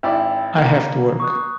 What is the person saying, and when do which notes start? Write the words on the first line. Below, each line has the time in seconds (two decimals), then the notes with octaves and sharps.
I have to work.
0.03 G#1 E4 D5 G5
0.57 A#3 B5
1.20 C#6 D#6 F#6